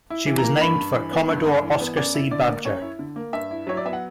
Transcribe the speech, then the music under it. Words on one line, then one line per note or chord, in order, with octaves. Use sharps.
She was named for Commodore Oscar C. Badger.
E4
E3
A#5
A#3
G2 B5
G2
E3
B3
G2
G2
E3
B3
F#2 D5
E4
D3 D5
A#3
F#2 C#5
E4
D3
A#3
G2 E5
E4
F#3 C#5
D5
B3 E5
F#5